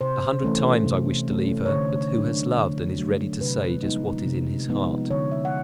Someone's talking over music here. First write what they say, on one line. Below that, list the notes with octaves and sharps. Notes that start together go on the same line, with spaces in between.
A hundred times I wished to leave her, but who has loved, and is ready to say just what is in his heart?
C3 C5
E3 A3 C#4
C3
E3 A3 C#4
C#5
D3 C5
F#3 A3 D4
D3
F#3 A3 D4
C3 B4
F3 G#3 B3 D#4
C3
F3 G#3 B3 D#4
D3 C#5
E5
F#5